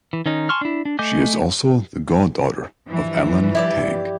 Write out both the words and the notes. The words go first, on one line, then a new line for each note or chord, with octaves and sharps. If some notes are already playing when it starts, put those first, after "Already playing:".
She is also the god-daughter of Alan Tang.
E3
D#3 C#4 D#4
G#5 A5 C6 C#6 F6
D4 E4
D4
A3 D#5 G#5 D6 G6
G2 E3 F3
E4 G4 D5